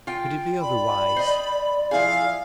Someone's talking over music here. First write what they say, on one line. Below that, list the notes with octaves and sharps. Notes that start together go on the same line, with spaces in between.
Could it be otherwise?
F4 G5
D5 B5
C5 D#5
F3 E4 G#4 F5